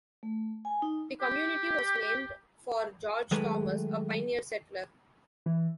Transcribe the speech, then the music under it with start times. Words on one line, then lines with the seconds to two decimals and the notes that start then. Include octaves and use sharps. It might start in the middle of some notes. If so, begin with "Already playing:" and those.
The community was named for George Thomas, a pioneer settler.
0.23 A3
0.65 G#5
0.82 D#4
1.21 G4
3.31 D#3 F#3 G#3 A3 G#4 B4
5.46 E3